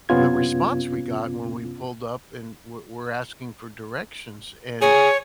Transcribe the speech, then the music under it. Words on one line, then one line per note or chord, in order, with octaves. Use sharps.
the response we got when we pulled up and we'r we're asking for directions, and
F#2 C3 B3 C#4 F4 G#6
G#4 C#5